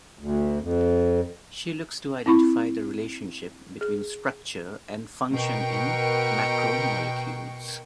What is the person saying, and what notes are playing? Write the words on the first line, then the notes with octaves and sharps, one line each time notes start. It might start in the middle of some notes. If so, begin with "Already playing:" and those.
She looks to identify the relationship between structure and function in macromolecules.
D2
F2
C4 E4 B5 C#6
G#4
B2 A#4 G5 C#6